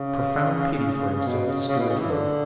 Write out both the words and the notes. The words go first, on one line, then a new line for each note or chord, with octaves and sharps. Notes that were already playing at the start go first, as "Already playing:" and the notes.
A profound pity for himself stirred him.
Already playing: C#3
B2
C#3
C#3
B2
C#3
E3
D3